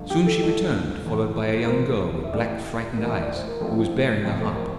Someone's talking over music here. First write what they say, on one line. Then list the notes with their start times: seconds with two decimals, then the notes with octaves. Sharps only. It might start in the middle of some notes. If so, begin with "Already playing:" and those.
Soon she returned followed by a young girl with black, frightened eyes, who was bearing a harp.
Already playing: G1 F2 D3 A3
0.10 G4
0.26 A4
0.42 G1 F2 D3 A3
1.05 F1 E2 E3
1.65 A#4
1.69 F1 E2 E3 C5
2.24 E5
2.33 A1 A2 E3 D5
2.97 A1 A2 E3 A#4
3.10 E5
3.22 D5
3.35 C5
3.47 A#4
3.60 A1 A2 F3 C4 F4 A4
4.24 A1 A2 F3 C4 F4 G4
4.40 A4
4.55 A#4